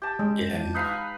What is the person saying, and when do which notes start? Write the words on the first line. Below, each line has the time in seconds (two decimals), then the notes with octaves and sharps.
Yeah, no.
0.02 G4 A5
0.19 G#3
0.75 D#4 B4 F5